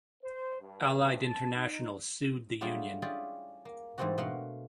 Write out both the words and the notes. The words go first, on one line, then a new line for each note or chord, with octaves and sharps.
Allied International sued the union.
C5
G2
A5
D#4
F#3 G3 A3 D4 F4 G#4
C#4 E4 F4 G4 G#4 D5
A#3
G#2 E3 G3 C4 D4 F#4
B2 A3 A#4 F5 F#5 C6